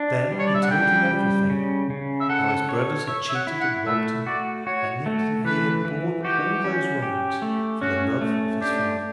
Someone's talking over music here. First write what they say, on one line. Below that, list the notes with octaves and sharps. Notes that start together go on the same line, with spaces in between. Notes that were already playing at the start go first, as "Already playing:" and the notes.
Then he told him everything; how his brothers had cheated and robbed him, and yet that he had borne all those wrongs for the love of his father.
Already playing: D4
G3
C#5
D5
E5
F#5
C#3 G5
G3
C#3
C#3
E5
A4 F#5
C#5
C#5 E5
E5
F#5
E4
F#5
A3 E5
F#4 D5
F#4 C#5
A3
E3 B4
E3
F#4 G4
C#4
G4
A3
C#4 F#4
A3
D4 G4